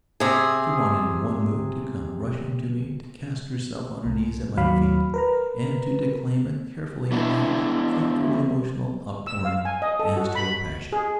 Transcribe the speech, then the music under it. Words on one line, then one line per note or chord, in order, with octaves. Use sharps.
She wanted, in one mood, to come rushing to me, to cast herself on her knees at my feet and to declaim a carefully arranged, frightfully emotional, outpouring as to her passion.
C3 G#4
C2
D#2 F#3 F5 B5
A#4 B4 A#5
E3 B3 D4 E4
E6
F5
G#5
D#5
A4
F#4
B5
G#4